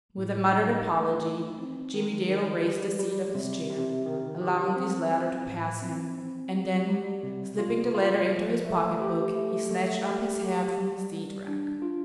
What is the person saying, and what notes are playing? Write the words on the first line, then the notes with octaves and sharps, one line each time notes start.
With a muttered apology, Jimmie Dale raised the seat of his chair, allowing these latter to pass him--and then, slipping the letter into his pocketbook, he snatched up his hat from the seat rack.
A2
D#4
A3
D#4
C4
D#3
D#3
G3
G3
C3
C3
D#3
G4
C4
C4
A2
C4
C4
G3
G3
C3
F4
F4
F3
A3
G4
A3
A3
G4
G4
G3
G3
D4
F4